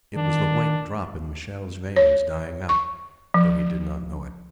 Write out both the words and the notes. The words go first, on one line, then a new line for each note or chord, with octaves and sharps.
It was the White drop in Michele's veins dying out, though he did not know it.
D#3 D4
C#5
C#6
F3